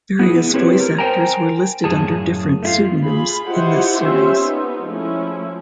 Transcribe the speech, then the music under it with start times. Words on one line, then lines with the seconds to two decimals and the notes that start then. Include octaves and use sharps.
Various voice actors were listed under different pseudonyms in this series.
0.19 B3 E4 G#4
0.54 C4 E4 G4 B4 C#5
0.80 A#4
0.98 A#4 C5 D#5 G5 G#5 A#5
1.84 F#2 A2 D#3 G#4 A5
2.63 A3 E4 F4
3.03 F4 G#4 B5
3.47 E4 F4 G4 C5 D#5 F#5
3.94 C4 C#4 F4 G4 C5 E5
4.40 B3 D#4
4.85 F3 G#3 A3 C#4 E4